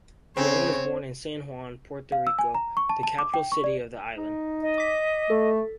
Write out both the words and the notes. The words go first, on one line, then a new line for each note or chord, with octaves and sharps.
Dwayne was born in San Juan, Puerto Rico the capital city of the island.
C#3 C4 C#5
F5
E6
G#5
A#5
C#6
A5
A5
D6
G5
C#6
D5
D#4
D#5
D6 B6
A3 A4